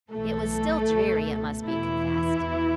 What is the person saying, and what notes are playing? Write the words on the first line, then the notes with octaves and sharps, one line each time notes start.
It was still dreary, it must be confessed.
B1 A2 E3 A3 A4
C#2 B2
E2 B2 E3 E4
E2 B2